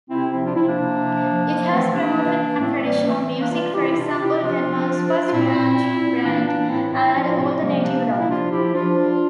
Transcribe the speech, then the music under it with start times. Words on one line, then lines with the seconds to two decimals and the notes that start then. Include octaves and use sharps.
It has promoted non-traditional music, for example "Denmark's first grunge band" and alternative rock.
0.10 C3 C4 E4
0.33 F3 C4 E4
0.45 D4 F4
0.56 F3 C4 E4
0.68 A#3 D4
0.79 C3
1.01 F3
1.24 F3
1.47 F3
1.69 E3 A3 C4
1.92 C3 A#3 D4
2.15 E3
2.38 E3
2.60 A2 A3 C4
2.83 E3 G3 A#3
3.06 E3 A3
3.29 E3
3.40 A#3 D4
3.51 E3 D4 F4
3.74 E3 E4 G4
3.91 E4
3.97 C3 D4 F4
4.19 C3 E4 G4
4.42 F3 D4 F4
4.65 F3
4.88 F3
5.10 F3
5.27 F4
5.33 A#2 C4 E4
5.56 A#2
5.79 A#2
6.01 A#2
6.24 E3 A#3 D4
6.47 E3 A#3 D4
6.69 A2 C4 E4
6.92 A2 C4 E4
7.15 F3 D4 F4
7.37 C3 C4 E4
7.61 F3 G3 A#3
7.83 C3 A#3 D4
8.06 A#2 A#3 D4
8.18 E4
8.28 F3 D4 F4
8.51 F3 E4 G4
8.74 F3 D4 F4
8.97 F3